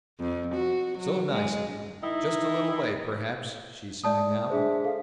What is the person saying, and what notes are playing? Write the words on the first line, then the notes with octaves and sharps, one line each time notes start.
"So nice of you--just a little way, perhaps?" she sang out.
F2
F#4
F#3
G#3
D#3 D#4 E4
G#3 D5 A5 D#6
D4 G#4 C5 E5
A4 F5